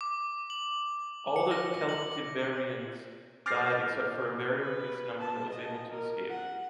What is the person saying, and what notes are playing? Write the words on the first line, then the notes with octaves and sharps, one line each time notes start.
All the Celtiberians died except for a very reduced number that was able to escape.
D6
F#7
C#7
A#6
F#7
D6 F6 G6 A6 A#6 C7
B4
A5
D#5
A#4
F#5